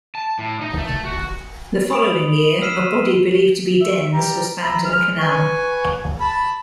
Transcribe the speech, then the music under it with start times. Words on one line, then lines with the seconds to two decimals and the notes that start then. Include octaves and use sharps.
The following year, a body believed to be Den's was found in the canal.
0.15 A5
0.39 A2
0.61 D#4
0.77 A3
1.05 F#4
1.90 B5 D#6 D7 F7
2.62 E6 F6 B6 C7 D#7 E7
3.81 E5
4.14 G3 G4 A#5
4.63 E5 A#5 B5
4.85 G#3 F6
5.19 B4 G#5 C#6
6.21 A5 B5